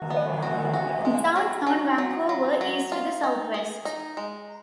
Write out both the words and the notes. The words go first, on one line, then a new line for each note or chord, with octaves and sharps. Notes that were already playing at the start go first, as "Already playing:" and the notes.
Downtown Vancouver is to the southwest.
Already playing: F#4
B3
F#4
F#4
G#3
F#3
F#3
F#3
F#3
F#3
F4
D#4
G#4
D#4
G#3